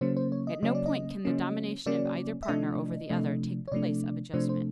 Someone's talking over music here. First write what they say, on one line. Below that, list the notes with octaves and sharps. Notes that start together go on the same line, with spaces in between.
At no point can the domination of either partner over the other take the place of adjustment.
C#3 F#3 A#3 C#4 C5
C5
C#5
D#5
C#3 F#3 A#3 C#4 D#5
D5
D#5
C#3 F#3 A#3 C#4
C#3 F#3 A#3 C#4 D5
E5
C3 F3 A3 D4 D#5
C3 F3 A3 D4
C#5
C3 F3 A3 D4 D5
C3 F3 A3 D4 C5
C5